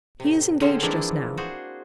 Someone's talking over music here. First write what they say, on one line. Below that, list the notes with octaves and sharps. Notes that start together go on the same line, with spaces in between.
He is engaged just now.
A2 C3
D3 C4 C#4 G#4 C5 C#5
E3 F3 G#3 A#3 D4 E4
F#4 G#4 C5